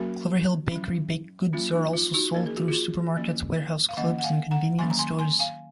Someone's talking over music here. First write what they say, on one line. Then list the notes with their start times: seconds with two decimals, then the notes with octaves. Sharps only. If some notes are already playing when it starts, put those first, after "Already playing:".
Cloverhill Bakery baked goods are also sold through supermarkets, warehouse clubs and convenience stores.
Already playing: F#3 A#3 C#4 F#4 A#4
0.71 F#3 C#4
1.53 F#3 A#3 C#4 F4
1.73 D#4
1.94 F4
2.14 D#4 F#4
2.34 F3 A#3 C#4 A#4
2.46 G#4
2.57 F#4
2.68 F4 G#4
3.16 F3 A#3 C#4
3.89 F5
3.97 D#3 A#3 C#4 D#5 F#5
4.19 F#5
4.24 F5 G#5
4.51 F#5 A#5
4.79 D#3 F#3 A#3 C#4 G#5 C6
4.90 A#5
4.99 G#5 C6
5.19 G#5 C6
5.39 F5 G#5